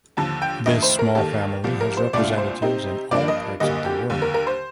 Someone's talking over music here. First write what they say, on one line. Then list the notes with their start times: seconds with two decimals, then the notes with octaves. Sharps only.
This small family has representatives in all parts of the world.
0.17 D#2 D3 F3 A5
0.42 G5
0.66 F2 D#3 A3 D4 D#5
0.83 C5
0.99 A#4
1.15 D#2 D#3 G3 A#3 A4
1.64 C2 C3 F3
1.81 A#4
1.97 C5
2.13 C2 A#2 A3 D4 F4 D5
2.38 C5
2.62 C3 G3 C4 D#4
3.11 G2 F3 A#3 D4 D5
3.28 D#5
3.60 D2 D3 G3 A#3 D#5
3.85 G4
4.10 D#2 D3 G3
4.22 A#4
4.34 A#4
4.47 C5